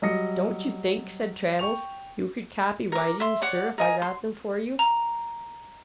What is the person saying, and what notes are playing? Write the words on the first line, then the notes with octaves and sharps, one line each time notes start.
'Don't you think,' said Traddles, 'you could copy writings, sir, if I got them for you?'
F#3 G3 D#5 D#6 A#6 C#7
G5 C#6 F7
A#4 D6
E5 C6
C#5 D5 F#5
A#4 D#5 G#5
C6
A#5